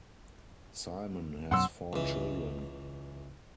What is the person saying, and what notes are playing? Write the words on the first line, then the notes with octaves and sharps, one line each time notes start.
Simon has four children.
F#2 B2 F#3 F#5 C6 E6
C#2 E3